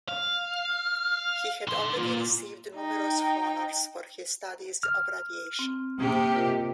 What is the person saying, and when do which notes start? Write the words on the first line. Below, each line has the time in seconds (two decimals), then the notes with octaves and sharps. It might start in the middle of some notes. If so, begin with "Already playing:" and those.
He had already received numerous honors for his studies of radiation.
0.08 F5
1.68 D3 C6
1.98 A#3 F4
2.75 D#4 G5
4.83 F6
5.59 C4
5.99 C3 A#3 G4 G#4 D#6
6.35 F4 A#4 D#5